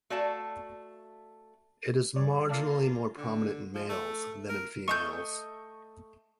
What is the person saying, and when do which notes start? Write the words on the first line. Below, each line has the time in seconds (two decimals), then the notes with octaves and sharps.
It is marginally more prominent in males, than in females.
0.10 A3 F#4 D5 F5 A5
2.16 G2 C#5 D5
2.49 A#3 F4 A4 D5 F5
3.17 D3
3.75 F3
3.89 A3
4.49 A#4
4.88 A3 D#5 C6 C#6 G6